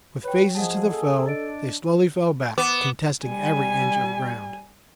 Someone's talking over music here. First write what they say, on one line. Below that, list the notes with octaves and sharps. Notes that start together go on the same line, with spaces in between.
With faces to the foe, they slowly fell back, contesting every inch of ground.
F#4 B4 C#5 G5
F#2 F3 A#3 G#4 D#5 F#5 A5
A4
D4 D#5 A6 D7
B3 D6
G3 G#5